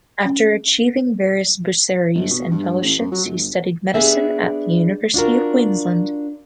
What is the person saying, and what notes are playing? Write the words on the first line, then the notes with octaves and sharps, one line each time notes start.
After achieving various bursaries and fellowships he studied medicine at the University of Queensland.
C#4
G1
B2
G2
A1
F#2
F#3
G1
B3 D4 G4 G#4 E5
D4 F4 F#4 A#4